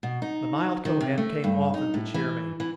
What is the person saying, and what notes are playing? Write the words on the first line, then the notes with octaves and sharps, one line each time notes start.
The mild Kohen came often to cheer me.
B2
D#4
D#3
C3
A3
G2
D#4
A2
E3
E3